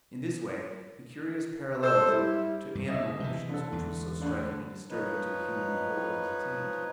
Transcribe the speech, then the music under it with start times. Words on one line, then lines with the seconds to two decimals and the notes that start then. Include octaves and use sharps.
In this way the curious parallelism to animal motions, which was so striking and disturbing to the human beholder, was attained.
1.82 A4 C5
2.11 G3 E4
2.75 G2
2.88 D3 D#5 E5
3.20 C3 E3
3.49 D3 A4
3.72 E2
4.21 A2 D3
4.90 F3 D#4 B4 C#5